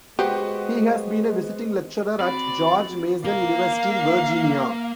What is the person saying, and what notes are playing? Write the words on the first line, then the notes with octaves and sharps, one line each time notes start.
He has been a visiting lecturer at George Mason University in Virginia.
G#3 B3 F#4 G4 B4 C5 F#5
C4 F#4 D5 B5
A#3 A#4 F5